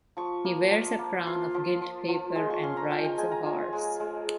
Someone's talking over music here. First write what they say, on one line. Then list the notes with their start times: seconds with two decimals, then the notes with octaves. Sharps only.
He wears a crown of gilt paper and rides a horse.
0.17 F3 C#6
0.45 A#3
0.71 F3
0.99 A#3
1.26 F4 C6
1.55 F3
1.81 F3
2.08 F3
2.36 G#3 C6
2.50 C#6
2.63 C#4 C6
2.77 A#5
2.90 F4 G5
3.04 G5
3.18 G#3 G#5
3.31 A#5
3.46 F4 G#5
3.73 G#3
4.00 G#3